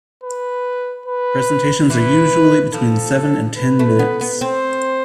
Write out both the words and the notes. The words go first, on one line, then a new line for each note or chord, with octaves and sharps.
Presentations are usually between seven and ten minutes.
B4
B4
E3 B4
F3 A4
B4
A3
B3
B3
C4 C5